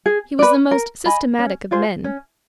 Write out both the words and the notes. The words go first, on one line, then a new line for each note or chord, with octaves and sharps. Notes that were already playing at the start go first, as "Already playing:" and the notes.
He was the most systematic of men.
G#4
B4 D5
A#4
D#5 G#5 B5
C#4
F4 G#4 C5
C#4